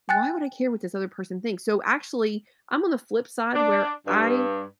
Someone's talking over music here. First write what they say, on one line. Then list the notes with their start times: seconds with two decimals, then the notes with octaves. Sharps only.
why would I care what this other person thinks? So, actually, I'm on the flip side where I
0.09 G5 G#5 F#6 A6
3.55 D4
4.07 G2